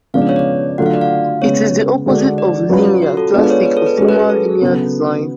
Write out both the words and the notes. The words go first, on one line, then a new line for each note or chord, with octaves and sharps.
It is the opposite of linear, plastic or formal linear design.
C#3 F3 G#3 B3 D4 F5
D5
C#5
D5
D3 F#3 A3 F4 F#5
F5
D5
F5
C#3 G#3 B3 C#5
D3 G#3 D4 F#4
D5
F#3 C#4 F4 B4
F#4
A4
G#3 B3 D4 F4 G#4 B4
B4
C#5
B4
A4
B4
G#3 C#4 F#4 G#4
B4
G#4
A4
C#3 F#3 B3